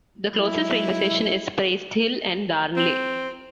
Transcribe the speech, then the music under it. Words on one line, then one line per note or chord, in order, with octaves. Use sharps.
The closest railway station is Priesthill and Darnley.
F#3 G#3 E4
C4